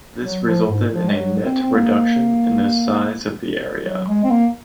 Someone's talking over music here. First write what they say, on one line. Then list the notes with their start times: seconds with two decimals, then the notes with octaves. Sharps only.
This resulted in a net reduction in the size of the area.
0.24 F#3
0.46 F3
0.69 G#2
0.92 F3
1.09 G#3
1.14 F#3
1.44 C4
1.63 C4
1.75 A#3
3.86 F#3
4.07 G#3
4.24 C4
4.31 A#3